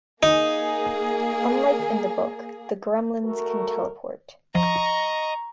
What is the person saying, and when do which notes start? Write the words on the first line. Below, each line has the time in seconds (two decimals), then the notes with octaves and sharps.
Unlike in the book, the Gremlins can teleport.
0.23 A#3 D#4 G#4
3.23 A3 F#4 A4 A#4
4.55 F3 D#5 A#5 C#6